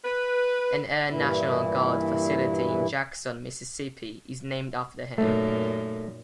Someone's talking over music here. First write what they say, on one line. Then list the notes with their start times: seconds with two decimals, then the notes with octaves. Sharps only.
An Air National Guard facility in Jackson, Mississippi is named after him.
0.05 B4
1.10 G2 A#2 E3 E4
5.18 F#2 A#2 A3 D#4